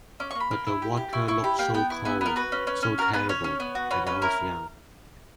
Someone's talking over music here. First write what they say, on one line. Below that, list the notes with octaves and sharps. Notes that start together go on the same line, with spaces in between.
But the water looked so cold, so terrible, and I was young.
C#4 D6
C#6
A#3
B5
A#3
E4
G4
G4
E4 C#6
E4 C#6
G4 B5
A#3 G5
B3 G5
E4
B3 E5
B3 A#4
F#4 B4
C#4
C#4
C#4
F#4 A#4
B3 B4
C#4 C#5
C#4
B3
F#4
C#4 B4
C#4 B4
E4 A#4